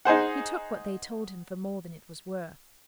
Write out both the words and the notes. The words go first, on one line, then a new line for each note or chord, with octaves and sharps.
He took what they told him for more than it was worth.
D#4 G#4 C5 F#5